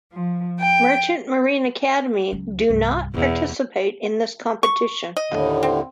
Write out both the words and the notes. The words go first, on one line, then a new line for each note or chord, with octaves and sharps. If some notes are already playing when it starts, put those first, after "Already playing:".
Merchant Marine Academy - do not participate in this competition.
F3
G5
C#2 F#3
C2 G2
E1 E2
C#6
D#5
D#2 A2 D3
C4